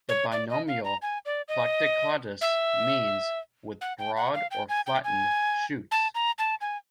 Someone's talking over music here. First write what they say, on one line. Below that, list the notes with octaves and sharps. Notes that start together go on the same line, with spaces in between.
The binomial "Platycladus" means "with broad or flattened shoots".
C#5
D5
D#5
F5
A#5
G#5
D5
D#5
E5
F#5
G5
F#5
F5
G5
G#5
G5
G#5
A5
A#5
A5
G#5